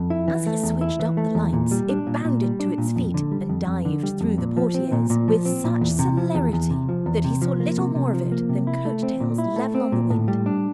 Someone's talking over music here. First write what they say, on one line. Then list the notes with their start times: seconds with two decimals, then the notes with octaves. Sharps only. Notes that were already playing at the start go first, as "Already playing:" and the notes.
As he switched up the lights it bounded to its feet and dived through the portieres with such celerity that he saw little more of it than coat-tails level on the wind.
Already playing: F2
0.10 E4
0.28 E3
0.46 A3
0.63 E2
0.81 E4
1.00 E3
1.17 A3
1.35 E2
1.53 A#2
1.71 G3
1.89 D4
2.07 A#2
2.25 A#2
2.42 G3
2.60 D4
2.78 A#2
2.96 F2
3.14 D3
3.31 G3
3.49 F2
3.67 F2
3.85 D3
4.03 G3
4.21 F2
4.38 A#2
4.57 F3
4.75 C4
4.92 A#2
5.10 A#2
5.28 F3
5.45 C4
5.64 A#2
5.81 E2
5.99 C3
6.17 F3
6.35 E2
6.53 E2
6.70 C3
6.89 F3
7.06 E2
7.24 C3
7.42 F3
7.60 A#3
7.78 C3
7.95 C3
8.13 F3
8.32 A#3
8.49 C3
8.67 E4
8.85 A3
9.03 C4
9.20 A#2
9.38 E4
9.56 A3
9.75 C4
9.92 A#2
10.10 A2
10.28 G3
10.46 D4